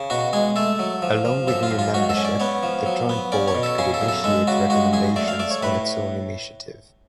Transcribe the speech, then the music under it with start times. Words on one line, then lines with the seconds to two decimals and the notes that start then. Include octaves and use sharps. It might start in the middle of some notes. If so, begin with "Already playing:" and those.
Along with new membership, the Joint Board could initiate recommendations on its own initiative.
Already playing: C#3
0.10 B2 F#4
0.33 G#3 G#4
0.56 A3 A4
0.79 F#3
1.02 F3
1.25 F3
1.48 F#2 A4
1.63 F4
1.71 F#2
1.79 F4
1.94 G#2 F#4
2.09 A4
2.17 C#4
2.25 D5
2.40 B3 C#5
2.63 F3
2.86 F#3
3.09 B3
3.32 C#4 D5
3.48 C#5
3.55 B2
3.63 A4
3.78 C#3 G#4
3.94 A4
4.01 F#2
4.08 A4
4.24 G#3 A4
4.47 C#3 F#4
4.70 G#3 F#4
4.93 F#2 G#4
5.16 A3 D5
5.28 F5
5.39 A3 D5
5.51 C#5
5.63 A2 B4